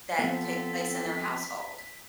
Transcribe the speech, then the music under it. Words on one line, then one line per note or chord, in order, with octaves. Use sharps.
that take place in their household
F3 B3 C4 A4 B6